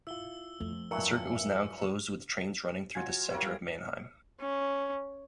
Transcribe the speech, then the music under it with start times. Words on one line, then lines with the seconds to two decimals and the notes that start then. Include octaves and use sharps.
The circuit was now closed with trains running through the centre of Mannheim.
0.07 E4 F4 E6 G7
0.60 F2 A3
0.91 G2 F#3 E4 A#4 E5 G#5 E6 C#7
2.95 F#3 F4 G#5
3.30 E4 G4 A#4 C#5
3.43 G3 F5
4.41 C#4